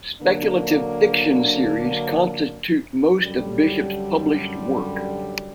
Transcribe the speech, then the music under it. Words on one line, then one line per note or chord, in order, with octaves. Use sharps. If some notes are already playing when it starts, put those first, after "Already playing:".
Speculative fiction series constitute most of Bishop's published work.
D3 F#3 A#3 D4
F#2 D3 G3